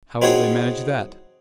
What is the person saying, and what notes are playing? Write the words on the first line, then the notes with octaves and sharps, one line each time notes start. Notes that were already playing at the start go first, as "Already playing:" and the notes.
"How will they manage that?"
C4 D#4 E4 F#4 G#4 C#5